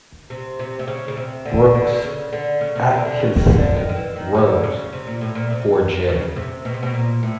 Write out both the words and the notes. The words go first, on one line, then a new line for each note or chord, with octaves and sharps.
Brooks Atkinson wrote: For 'J.
C3
C3
C3
C#3
C#3
C3
D3
D3
D3
C#3
D3
C#3
C3
D3
D3
C#3
D#3
D3
D#3
D#3
E3
D#3
D3
C#3
C3
A#2
A2
A#2
C3
C#3
C3
B2
C3
B2
A#2
A2